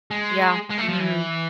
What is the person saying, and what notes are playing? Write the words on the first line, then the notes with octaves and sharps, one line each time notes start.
Yeah. Mm.
G#3
G#3
A3
F3
E3